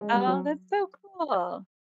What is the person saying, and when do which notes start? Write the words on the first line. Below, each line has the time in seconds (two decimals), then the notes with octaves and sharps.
Oh, that's so cool.
0.01 G#3
0.14 G3
0.27 F#3